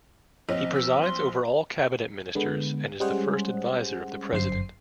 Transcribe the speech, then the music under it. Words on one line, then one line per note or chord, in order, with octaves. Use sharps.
He presides over all cabinet ministers and is the first adviser of the President.
A#1 C4 D#5
E6
C6
D3 G#3 B3
G3 G#3 C#4 G#4 C5 F#5
G1 F#2 C5 C7